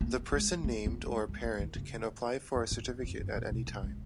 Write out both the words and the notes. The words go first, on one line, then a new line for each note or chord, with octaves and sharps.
The person named or a parent can apply for a certificate at any time.
A#3
G#3
A#3
B3
G#3
G#3
A#3
D#3
C#3
F#2
G#2
F#2
F2
F#2
A#2
B2
F#3
G#3